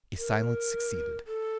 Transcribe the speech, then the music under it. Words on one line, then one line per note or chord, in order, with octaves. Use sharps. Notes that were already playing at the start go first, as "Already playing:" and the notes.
A silence succeeded.
A#4
A4